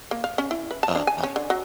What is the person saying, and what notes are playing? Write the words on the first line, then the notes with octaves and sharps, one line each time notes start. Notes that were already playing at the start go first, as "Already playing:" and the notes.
uh, um,
A#3
F5
C#4
E4
B4
A5
D4
G#5
C#4
D3
F#3